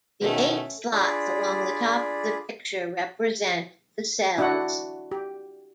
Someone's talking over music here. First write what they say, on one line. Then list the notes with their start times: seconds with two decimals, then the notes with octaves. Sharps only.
The eight slots along the top of the picture represent the cells.
0.22 B2 D#3 A3 C#4
0.93 D4 F4 G#4 D5 B5
4.38 D4 E4 F#4 F#5
5.12 G4